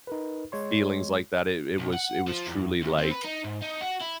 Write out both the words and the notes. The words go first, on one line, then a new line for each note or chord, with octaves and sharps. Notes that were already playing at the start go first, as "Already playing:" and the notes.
feelings like that. It it was it was truly like,
D#4 A#4 B4
G#3 C#5 C6
B1
F#5
F3
E2
D2
C4
B4
D#4
G#2
D#4
F#4
E4